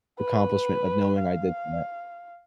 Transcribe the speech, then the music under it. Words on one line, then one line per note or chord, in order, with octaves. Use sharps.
accomplishment of knowing I did that.
B4
F5